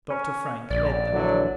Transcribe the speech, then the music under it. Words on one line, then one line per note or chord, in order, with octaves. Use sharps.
Dr. Frank led them.
C#4
A#1 D5
D3 E3 F#3